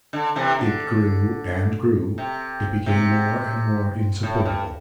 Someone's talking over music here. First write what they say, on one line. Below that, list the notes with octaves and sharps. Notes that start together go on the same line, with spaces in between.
It grew and grew, it became more and more insupportable.
D3
C3 E3
D3
C3
C3
A2
G2